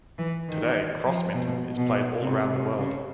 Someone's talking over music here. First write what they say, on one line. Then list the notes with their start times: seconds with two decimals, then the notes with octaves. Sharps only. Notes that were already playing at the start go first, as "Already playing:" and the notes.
Today, Crossminton is played all around the world.
0.18 E3
0.48 D#3
1.05 F3
1.34 B2
1.78 B2
2.21 C3
2.50 C3
2.78 C#3